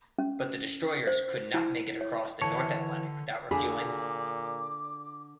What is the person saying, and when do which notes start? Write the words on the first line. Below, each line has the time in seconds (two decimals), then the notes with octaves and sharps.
But the destroyers could not make it across the North Atlantic without refueling.
0.18 C#4
1.07 C5
1.54 E4
2.01 C#5
2.42 D3 E3 C#5 A5
3.51 A#2 D3 G#4 B5 D6